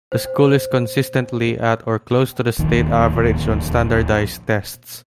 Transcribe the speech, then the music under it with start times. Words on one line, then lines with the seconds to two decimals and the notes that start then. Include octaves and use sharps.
The school is consistently at or close to the state average on standardized tests.
0.12 C5
0.44 C5
2.59 D1 A#1 D#2 D#3